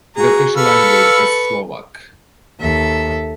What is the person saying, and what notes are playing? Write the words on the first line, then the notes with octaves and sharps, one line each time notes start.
The official language is Slovak.
F#4 G#4 A#5
A4 B4 F5 B5 C#6 E6
D#2 A4 E5